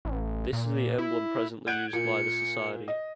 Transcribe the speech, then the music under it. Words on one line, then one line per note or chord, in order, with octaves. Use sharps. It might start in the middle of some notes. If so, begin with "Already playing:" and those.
This is the emblem presently used by the society.
A1
A#2
E4
F#5 G6 G#6 D7
A#2 C#7
D#5